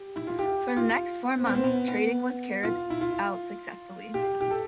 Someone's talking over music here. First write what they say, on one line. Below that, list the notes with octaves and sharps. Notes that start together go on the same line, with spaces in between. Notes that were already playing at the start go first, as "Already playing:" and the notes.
For the next four months, trading was carried out successfully.
Already playing: G4
E4
F4
G4
F4
C4
B3
C4
B3
B3
F4
E4
F4
G4
G4
A4